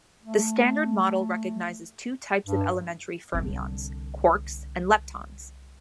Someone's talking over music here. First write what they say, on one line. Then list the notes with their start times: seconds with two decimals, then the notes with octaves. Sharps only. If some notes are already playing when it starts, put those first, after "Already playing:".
The Standard Model recognizes two types of elementary fermions: quarks and leptons.
0.23 A3
2.46 G2
3.33 C2 D3